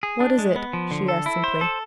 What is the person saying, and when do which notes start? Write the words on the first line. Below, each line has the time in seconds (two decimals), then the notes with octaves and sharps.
"What is it?" she asked simply.
0.03 G#4
0.20 D4
0.39 G#3
0.56 B3
0.73 F3
0.91 D3
1.08 A4
1.26 E4
1.44 C5
1.61 A4